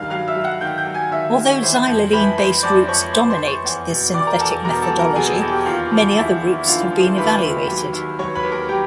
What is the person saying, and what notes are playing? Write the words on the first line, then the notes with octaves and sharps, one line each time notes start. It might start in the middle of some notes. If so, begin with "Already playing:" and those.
Although xylylene-based routes dominate the synthetic methodology, many other routes have been evaluated.
Already playing: G2 D#3 F5 F6
F#3 F5 F6
E5 E6
F#3
F#5 F#6
D#3 G5 G6
G5 G6
F#3
G#5 G#6
D#3 E5 E6
D#3
C#5 C#6
E3 C5 C6
F2
E3 B4 B5
F2 C5 C6
F2 D5 D6
F2 C#5 C#6
F2 C5 C6
C5 C6
F2
C#5 C#6
E2
B2
E2 D5 D6
A#4 A#5
E2 A4 A5
B2 A#4 A#5
A4 A5
F#3
A#4 A#5
B2 G#4 G#5
A4 A5
E2
G4 G5
D#2 F4 F5
F3
D#2 E4 E5
D#2
D3 F4 F5
F3
C5 C6
D#2 B4 B5
D#2
F#3
D#2
F#3 C#5 C#6
B4 B5
D#2
A#4 A#5
F#3 G4 G5